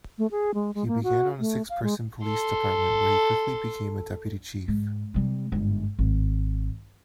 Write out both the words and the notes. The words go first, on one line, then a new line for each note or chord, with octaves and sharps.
He began on six-person police department where he quickly became a deputy chief.
A3
G#4
G#3
G#3
A#3
F#4
A3
F5
G#3
A4 C6
G#2
C3 G3
G1 G#2
G#1